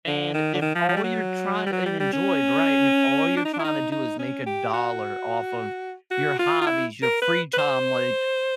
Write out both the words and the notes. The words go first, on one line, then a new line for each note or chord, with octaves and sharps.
And if all you're trying and enjoyed, right, and if all you're trying to do is make a dollar off of your hobbies, your free time like,
D3
D#3
D3
D#3
F3
F3
G3
F#3
G3
F#3
G3
G3
C#4
D4
D#4
D4
E4
D#4
D#4
C#4
G4
F#4
F#4
F4
F4
E4
A#4
B4
B4
C5